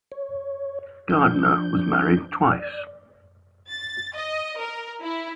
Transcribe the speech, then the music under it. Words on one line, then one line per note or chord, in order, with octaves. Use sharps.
Gardiner was married twice.
C#5
F3 D4 G6
D5
A6
D#5
A#4
E4